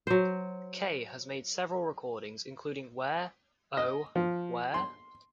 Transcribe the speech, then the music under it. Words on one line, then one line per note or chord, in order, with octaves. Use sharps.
Kaye has made several recordings, including Where, Oh, Where?
F#3 C5
D#5
F3
C6